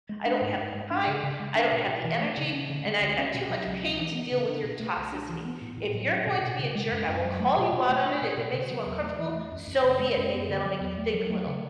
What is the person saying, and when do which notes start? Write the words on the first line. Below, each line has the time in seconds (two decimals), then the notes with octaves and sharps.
I don't have the time, I don't have the energy, and I've got too much pain to deal with your toxicity. If you're going to be a jerk, I will call you out on it, if it makes you uncomfortable, so be it, maybe that'll make you think a little,
0.09 G#3
0.26 D4
0.41 G#2
0.58 G#2
0.74 G#3
0.91 D4
1.07 C#3
1.23 C#3
1.40 G#3
1.55 D4
1.72 B2
1.88 B2
2.04 E3
2.20 A3
2.37 C#3
2.53 C#4
2.70 D3
2.85 G#3
3.02 D2
3.18 C#4
3.34 B2
3.50 F#3
3.67 C#2
3.83 C#4
3.99 E3
4.15 B3
4.32 C#3
4.47 D4
4.64 B2
4.80 A3
4.97 C#2
5.12 D4
5.29 E3
5.45 B3
5.61 A2
5.78 A2
5.94 F#3
6.10 C#4
6.27 B2
6.43 B2
6.59 C#3
6.75 G#3
6.92 F#2
7.08 F#2
7.24 F#3
7.40 A3
7.57 B2
7.73 B2
7.89 A3
8.05 D4
8.22 B2
8.37 B2
8.54 C#3
8.70 F#3
8.86 E2
9.02 A3
9.19 E3
9.35 A3
9.52 F#2
9.67 F#2
9.84 C#3
10.00 G#3
10.17 F#2
10.33 B3
10.49 D3
10.65 F#3
10.81 E2
10.98 A3
11.14 F#3
11.30 A3
11.46 C#3